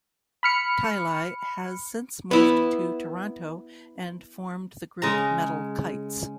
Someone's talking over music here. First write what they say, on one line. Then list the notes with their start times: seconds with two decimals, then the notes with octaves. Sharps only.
Tielli has since moved to Toronto and formed the group Metal Kites.
0.43 B5 F6 C#7
2.31 B3 E4
5.02 C#3 G#3 A#5